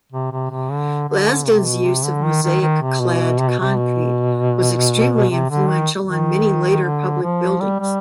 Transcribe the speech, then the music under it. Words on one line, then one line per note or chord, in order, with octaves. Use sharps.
Lasdun's use of mosaic clad concrete was extremely influential on many later public buildings.
C3
C3
C3
D3
D3
C3
B2
C3
D3
D#3
D#3
D#3
C3
B2
C3
B2
C3
B2
C3
D3
D#3
D#3
D3
F3
G3
G3